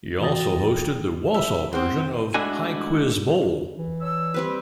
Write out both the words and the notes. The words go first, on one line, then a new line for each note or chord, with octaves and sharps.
He also hosted the Wausau version of High Quiz Bowl.
E3 F#4 G5 D#6 A6 A#6
E5
C4 C5 F#5
G#3 A3 D4 E4 F#4 G#5
E3
D4 C#5 E6
G3 C4 B4